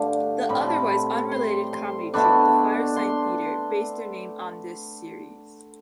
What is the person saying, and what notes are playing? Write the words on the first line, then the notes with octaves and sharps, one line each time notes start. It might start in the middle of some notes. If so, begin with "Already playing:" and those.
The otherwise-unrelated comedy troupe The Firesign Theatre based their name on this series.
Already playing: G2 D3 A3 F5
A2 G3 C4 B5
A5
B5
C6
C6
B2 A3 D4 B5
C6